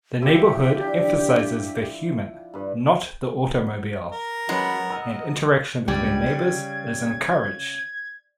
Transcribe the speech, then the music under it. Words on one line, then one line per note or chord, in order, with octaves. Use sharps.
The neighborhood emphasizes the human, not the automobile, and interaction between neighbors is encouraged.
F3 E4 G4 E5
D4
G2 B4
A#4
F#3 G#3 B3 C#4 B4 B5
D#5 A#5 E6 F6
C#2 G2 G3 G#6
C#3